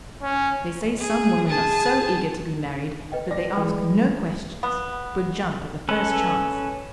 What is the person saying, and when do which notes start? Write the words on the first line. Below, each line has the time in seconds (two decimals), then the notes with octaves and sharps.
They say some women are so eager to be married that they ask no questions, but jump at the first chance.
0.22 C#4
0.98 G#4
1.47 G#4 A5
3.12 B4 D#5 G5
3.31 D5 A#6
3.56 E3 G#3 B4 D5 G5
4.63 B3
5.89 C#4 A4 B4